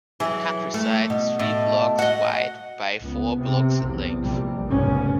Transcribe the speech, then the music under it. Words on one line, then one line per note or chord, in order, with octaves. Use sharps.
Countryside is three blocks wide by four blocks in length.
E3 F#3 G#4
A3
B2
A2
F#4 D#5 F#5
C#2 B3
C3 C4
B1 E2
A#1 C3 G3
F1 C2 G#2 C#3 B3 C#4